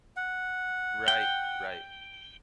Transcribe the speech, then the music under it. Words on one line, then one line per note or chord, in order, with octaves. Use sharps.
Right, right.
F#5
G5